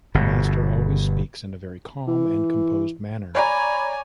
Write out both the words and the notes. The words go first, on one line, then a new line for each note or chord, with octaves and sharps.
The master always speaks in a very calm and composed manner.
G1 B2
E3
C#5 D5 G#5 A#5 B5